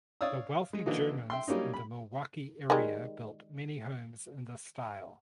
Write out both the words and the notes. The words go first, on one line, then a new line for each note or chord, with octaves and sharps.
The wealthy Germans in the Milwaukee area built many homes in the style.
C#5 D5 F5 D#6 E6
G#3
D3 E3 F#3 A#3 D#4
E5 G5 C6
F#3 G3 A#3 C#4 D#4
B5
D#3 G3 G#3